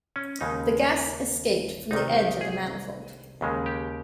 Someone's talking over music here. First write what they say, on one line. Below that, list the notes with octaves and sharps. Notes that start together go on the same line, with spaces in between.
The gas escaped from the edge of the manifold.
C#4
D#2 C#3 G#3 D#4
C2 C3 D#3 D#4
G4
G#4
D#2 C#3 G#3
G4